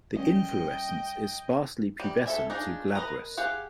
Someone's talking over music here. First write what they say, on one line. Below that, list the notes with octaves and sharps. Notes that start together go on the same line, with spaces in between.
The inflorescence is sparsely pubescent to glabrous.
G3 A3 C#4 D#5 G5
G3
A4 E5 G#5
D4 D#4 F4 G#4
A#4 B4 D#5 A#5
G4 G#4 F5 F#5